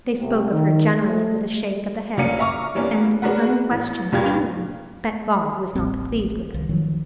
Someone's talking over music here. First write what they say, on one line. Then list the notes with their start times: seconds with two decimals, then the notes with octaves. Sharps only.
They spoke of her generally with a shake of the head, and an unquestioned feeling that God was not pleased with her.
0.20 C2
0.52 D#3
1.06 A3
2.17 C#2 A#3 C#4 D4 C#7 D#7
2.38 E5 F5 A#5 C#6 D6 F6
2.75 E3 G3 A#3 B3 C#4 D4
3.22 G#3 D4 F#4 A#4 B4 F#5
3.71 A1 A2
4.12 C#2 G2 A#2 A#3 G4 G#6
5.75 D1 A1 G3 C4
6.54 C2 D#3
6.69 D#3 F3 F#3